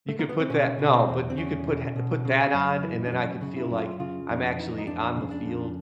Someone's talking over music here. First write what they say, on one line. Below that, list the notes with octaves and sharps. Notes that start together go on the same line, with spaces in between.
you could put that No, but you could put ha put that on, and then I could feel like I'm actually on the field.
A3
A#3
B3
C4
B2 C#4
B2
C4
E2
C4
E2 C#4
B2
B2
C#3
F#2
E3
D4
F#2 C#4
C#3
E4
F#2
F4
C#3 F4
F2 D#4
E3 D#4
D#4
F2 D4
C#3
D4
F2